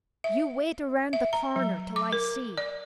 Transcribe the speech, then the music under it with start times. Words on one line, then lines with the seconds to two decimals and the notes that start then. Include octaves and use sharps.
"You wait around the corner till I see."
0.24 E5
1.13 E5
1.33 A#5
1.56 F#3
1.96 D6
2.13 A#4
2.58 D5